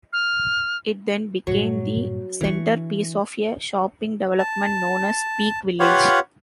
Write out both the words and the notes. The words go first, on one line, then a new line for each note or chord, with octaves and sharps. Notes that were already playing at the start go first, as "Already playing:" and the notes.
It then became the centrepiece of a shopping development known as Peak Village.
F6
G2 A#2 F#3 C#6
D3 E3 D4 C#6
A5
F4 G4 B4 C#5 F5 F#5